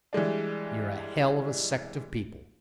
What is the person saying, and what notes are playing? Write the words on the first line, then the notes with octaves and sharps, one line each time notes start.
You're a hell of a sect of people.
E3 G3 G#3 D4